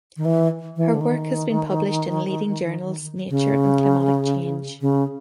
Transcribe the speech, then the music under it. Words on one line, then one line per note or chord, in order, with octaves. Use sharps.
Her work has been published in leading journals Nature and Climatic Change.
D#3
E3
E3
D3
D#3
C#3
C#3